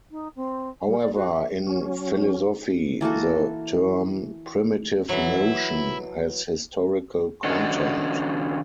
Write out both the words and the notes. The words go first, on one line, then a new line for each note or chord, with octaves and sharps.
However, in philosophy the term "primitive notion" has historical content.
D#4
C4
G3
D5
F#4
E5
F#3 C#4
E3 A#3 F#4 A4
E3 F#3 E4
D#3 C#4 D4 F#4 A4 D#5